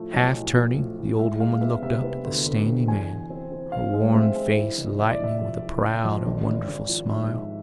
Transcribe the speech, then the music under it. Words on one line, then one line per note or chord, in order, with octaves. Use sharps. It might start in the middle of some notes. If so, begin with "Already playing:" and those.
Half turning, the old woman looked up at the standing man, her worn face lighting with a proud and wonderful smile.
Already playing: A2 F3 A3
B1
A2
F3
A3
A2
G#3 E5
G#3 F5
B3 E5
C3 E5
B3
D2
D2
C3
E2 G#5
E2
C4
C4
C4 F5
G#3
C4 E5
G#3
E3
F1
E3 E5
D5
F1 E5
F2
E3
F1
F2
G#1
G#1
G#1
F3
G#2 E5
G#2